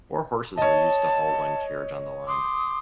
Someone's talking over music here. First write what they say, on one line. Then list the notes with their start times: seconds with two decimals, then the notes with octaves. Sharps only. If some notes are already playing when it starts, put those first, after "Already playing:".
Four horses were used to haul one carriage on the line.
0.57 C#5 D#5 A5
2.27 C6 D6 D#6